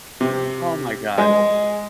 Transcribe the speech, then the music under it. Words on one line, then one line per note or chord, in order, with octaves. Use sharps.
Oh my god.
C3
G#3